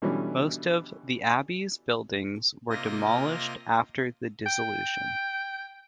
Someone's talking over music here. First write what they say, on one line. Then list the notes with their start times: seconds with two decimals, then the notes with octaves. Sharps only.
Most of the abbey's buildings were demolished after the dissolution.
0.02 B2 D3 E3 G3 C#4
2.70 C3 A#3 F4 D#5 A#6
4.46 G5